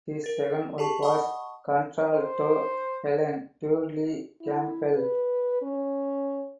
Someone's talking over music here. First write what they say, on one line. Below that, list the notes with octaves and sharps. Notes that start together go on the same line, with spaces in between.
His second wife was contralto Helen Dudley Campbell.
A#4 A6
G4 G#4 A5 C#6
D#5 F#5 A5 B5 C#6 D#6
C5
E4
B4
C#4